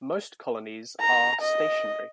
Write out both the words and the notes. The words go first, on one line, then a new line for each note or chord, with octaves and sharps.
Most colonies are stationary.
A#5
D#5